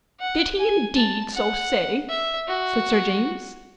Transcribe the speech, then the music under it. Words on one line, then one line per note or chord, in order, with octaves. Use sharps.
"Did he indeed so say?" said Sir James.
F#5
G#5
A5
F#5
E5
F#4